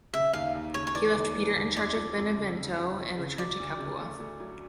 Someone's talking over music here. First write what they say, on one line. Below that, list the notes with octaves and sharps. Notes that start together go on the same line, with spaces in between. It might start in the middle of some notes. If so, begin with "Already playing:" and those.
He left Peter in charge of Benevento and returned to Capua.
C#3 E5
D#2 F5
D#2
C#3 C#5
C#5
E3 D5
D#2
E3
D#2
F2 D5
F3
F2
C#3
C#3
F2
F2
C#3
F#3 D5
D2
C#3
A3
A3
F#3